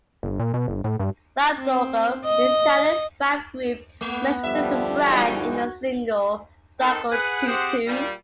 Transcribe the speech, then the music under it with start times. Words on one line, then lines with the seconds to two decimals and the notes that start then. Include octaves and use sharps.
Club Dogo, an Italian rap group, mentioned the brand in the single "Spacco tutto".
0.23 G1
0.39 A#2
0.54 B2
0.68 G1
0.84 A2
0.99 G2
1.59 C4
2.25 D#5
4.01 A3 B3
4.43 D3 F3 G3 E5
5.08 G2 D#4 F#4
6.80 D#3 C4 A4
7.12 G#4 B4 F#5
7.47 C4 G4 G#4 C5 F#5
7.87 A#2 G3